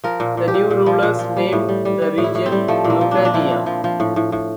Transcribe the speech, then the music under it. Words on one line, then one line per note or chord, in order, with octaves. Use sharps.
The new rulers named the region Lucania.
F3 A#4
A#2
A#2
G4
A#2
A#2
F3
A#2
F3
G3
A2
G3
G3
G3
A2
E4
A2
C4
G3
F3 A3
A#2
A#3
F3
D4
A#2
D4
F3 E4
A#2
F3
F3
A2
A2
A2